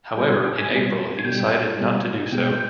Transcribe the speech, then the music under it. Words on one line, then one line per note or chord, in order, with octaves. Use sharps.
However, in April he decided not to do so.
B2 G3 G5
G#5
G5
G#5
B2 G3
G#5
B2 G3 G5
B2 G3
B2 G#3 G5